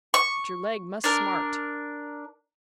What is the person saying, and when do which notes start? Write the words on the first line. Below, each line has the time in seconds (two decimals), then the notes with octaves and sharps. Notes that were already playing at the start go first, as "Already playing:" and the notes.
"But your leg must smart."
0.14 C#6
1.04 D4 A#4